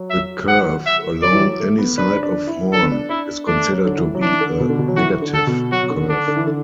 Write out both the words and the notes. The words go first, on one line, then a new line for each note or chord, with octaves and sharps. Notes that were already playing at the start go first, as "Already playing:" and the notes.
The curve along any side of horn is considered to be a negative curve.
Already playing: F#3
E5
F#5
E5
F#3 D5
E3
F#3
A3
B3
D4 B4
D4
E4
D4 A4
B3
D4
D4 E4
A3 D4
F#3
D3
E3
F#3
E3 D4
D3
B2
D3
B2
F#3
E3 F#4
D3
A4
B2
F#3 F#4
B2
D3
D3 D4
D3
E3
D3